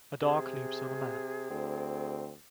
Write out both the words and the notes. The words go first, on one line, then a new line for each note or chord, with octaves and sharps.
A dog leaps on a man.
C3 G#4
D2 C4